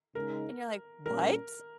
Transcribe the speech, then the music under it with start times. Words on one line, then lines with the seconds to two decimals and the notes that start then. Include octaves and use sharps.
And you're like, "What?"
0.15 C#3 G#3 D#4 A#4
1.05 A#2 G3 C#4 A#4